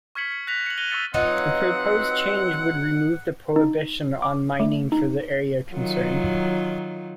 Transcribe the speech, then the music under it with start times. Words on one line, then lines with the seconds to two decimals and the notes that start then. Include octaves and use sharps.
The proposed change would remove the prohibition on mining for the area concerned.
0.15 C#6 F6 G#6 B6 C#7 F#7
0.32 C#7
0.47 F#6 A#6 B6 F7
0.66 C#7 F#7
0.78 F#6 A#6 D#7 F7 G7
0.90 C#6 E6 F6 A6 C#7 D#7
1.14 F#3 C4 D#4 F4 B4 D#5 F#5
3.56 D#4
4.22 D6
4.60 A3
4.92 D#4
5.70 D#3 F#3 F4